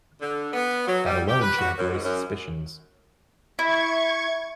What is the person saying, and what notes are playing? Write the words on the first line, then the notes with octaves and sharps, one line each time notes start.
That alone should have raised suspicions.
D3
B3
F#3
G3
G4
B4
F#4
F#2
G#2
F#2
E4 C#6 G#6